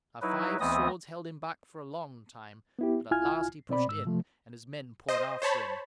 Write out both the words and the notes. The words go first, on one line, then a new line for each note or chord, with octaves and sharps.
Our five swords held him back for a long time, but at last he pushed in, and his men poured after him.
F#3 D#4 E4 B4
D2 E3 B3 C4 D#5 D#6
B3 E4 G4
C2 E4 F4 G#5 F6 G#6
B2 C4 D5 B5
G#2 E6
C3 F3 A3
C5 D#5
C5 C#5 A5 B5